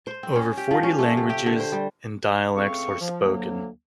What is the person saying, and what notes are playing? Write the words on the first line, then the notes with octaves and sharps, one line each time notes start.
Over forty languages and dialects are spoken.
C5
C4
C#4
G4
F3
C#4
A3
C3
G4
D3
C5
G3
C#2 A3 C4 F5 C#6
F3
D2 F#3 A#3